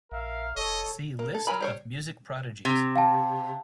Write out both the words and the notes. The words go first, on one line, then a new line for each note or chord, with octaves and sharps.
See List of music prodigies.
A#1 A#4 E5 F5
F1 A4 C#5 D#5
A#3
A4
F#3 A4 A#4 G#5 B5
G3 C5 C#5
C3
F5 G5 A5